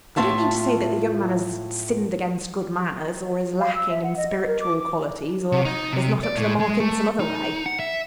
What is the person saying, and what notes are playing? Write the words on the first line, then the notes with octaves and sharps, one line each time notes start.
I don't mean to say that the young man has sinned against good manners, or is lacking in spiritual qualities, or is not up to the mark in some other way.
A2 A3 C4 F4 E5 A5
F5
E6
E5
F#5
D#5
D#5
A#4
D6
D6
C3
D#4
C3
D5
A2
G#3
A3
D#4
F#5
E5